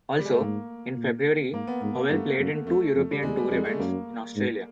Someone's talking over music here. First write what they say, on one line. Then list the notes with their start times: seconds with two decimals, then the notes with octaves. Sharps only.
Also, in February Howell played in two European Tour events in Australia.
0.19 G3
0.25 G#3
0.33 A3
0.40 G#2 A#3
0.96 A#2
1.53 G#2 A#3
1.67 B3
1.81 G#2 B3
1.96 A#3
2.10 G2 A3
2.38 F#2
2.66 F2 A3
2.95 F2
3.11 G3
3.23 E2 G#3
3.37 G3
3.51 F2 G#3
3.65 A3
3.79 F#2 A#3
4.36 G#2